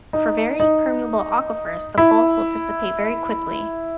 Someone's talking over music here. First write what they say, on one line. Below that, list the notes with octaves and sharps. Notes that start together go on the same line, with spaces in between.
For very permeable aquifers, the pulse will dissipate very quickly.
D#4
D#4
E4